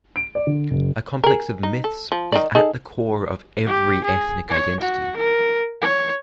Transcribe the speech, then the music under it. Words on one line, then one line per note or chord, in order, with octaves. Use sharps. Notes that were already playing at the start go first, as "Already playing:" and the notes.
A complex of myths is at the core of every ethnic identity.
D7
D5
D3
F#1
G#4 A#4
D#4
A4
F3
D#3 D#4 D5
D#4 G#4 A4
G4
G#4
C#5
F#4
A#4
C#5